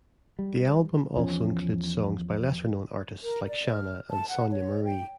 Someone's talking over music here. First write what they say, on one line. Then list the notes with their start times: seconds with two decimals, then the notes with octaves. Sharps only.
The album also includes songs by lesser-known artists like Shanna and Sonja Marie.
0.39 G3
1.16 E2 F3 C#4
3.23 A#4
3.48 D5
3.71 F6
4.11 A5
4.29 F#5
4.51 C#5
4.84 G5